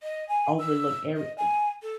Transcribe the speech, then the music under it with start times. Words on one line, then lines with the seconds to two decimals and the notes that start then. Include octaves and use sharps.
overlooked every, uh
0.03 D#5
0.29 G#5
0.59 E6
1.16 D#5
1.38 G#5
1.82 A4